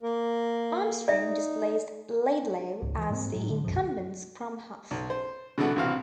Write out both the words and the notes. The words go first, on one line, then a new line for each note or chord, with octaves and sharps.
Armstrong displaced Laidlaw as the incumbent scrum half.
A#3 A#4
D#4 D5 E5
C#2 G#2
E3
G#2 A3 A#3 C4
A2 F#3
D3
C2 F#2 B2 F3
B1
C5
B2 D3 E3 A3 B3
A#1 C3 E3 F#4 F5